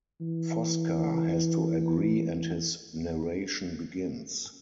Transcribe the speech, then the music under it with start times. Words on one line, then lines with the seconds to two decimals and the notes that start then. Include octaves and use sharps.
Fosca has to agree and his narration begins.
0.21 E3